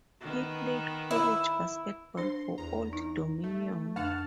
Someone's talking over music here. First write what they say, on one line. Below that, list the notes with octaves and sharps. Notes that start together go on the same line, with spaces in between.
He played college basketball for Old Dominion.
D#3 B3
E4
D4 C5 C6
E2 A#5
D#4
A3
F2 C#3 D4 F#5 A5 F6